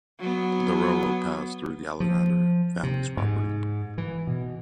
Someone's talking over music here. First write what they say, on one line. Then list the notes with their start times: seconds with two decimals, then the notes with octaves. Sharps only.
The railroad passed through the Alexander family's property.
0.20 F#3 B3
2.00 F3
2.83 C3
3.17 G#2
3.98 E3
4.27 B2